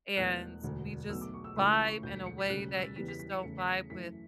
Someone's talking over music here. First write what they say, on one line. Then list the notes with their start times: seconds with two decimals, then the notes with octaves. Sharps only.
and we just vibe in a way that you just don't vibe with
0.16 E1 E2 B2 A3 F#6
0.63 E1 D2 D3
1.09 B1 B2 A3 E6
1.21 D6
1.34 C#6
1.44 E6
1.56 C#2 C#3 E3 A3 B5
1.72 B5
1.87 C#6
2.03 E1 D2 D3 G6
2.14 B6
2.26 C#7
2.38 B6
2.50 E1 D2 C#3 G3 F#6
2.73 E6
2.80 B6
2.85 A6
2.96 E2 C#3 E3 G3 B3 B6
3.08 B6
3.20 B6
3.31 C#7
3.43 E2 C#3 E3 A3 C#7
3.58 B6
3.75 C#7
3.90 F#2 E3 A3 B6